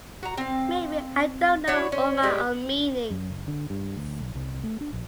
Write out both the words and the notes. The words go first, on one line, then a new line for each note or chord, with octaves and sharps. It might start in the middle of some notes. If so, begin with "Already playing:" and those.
Maybe I don't know all my own meanings.
F#4 A#5
C4 F5
D4 E4 F#4 C#5
C#4 C5
A2 G3 G#3 G4
F#2
F#1
D3
G2
D2
B1
C2
A3
D4
A#1